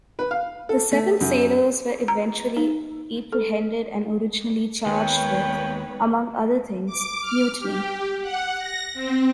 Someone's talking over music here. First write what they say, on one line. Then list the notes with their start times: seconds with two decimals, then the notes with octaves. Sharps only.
The seven sailors were eventually apprehended and originally charged with, among other things, mutiny.
0.19 B4
0.31 F5
0.69 A4
0.92 A3
1.21 F#2
2.08 A#5
2.57 D#4
3.32 A4
4.86 D#2 G#3 A#3 B3 B4 C#5 G5
6.86 D6
7.21 F6
7.59 G4
8.21 F#5
8.57 A#6
8.93 C4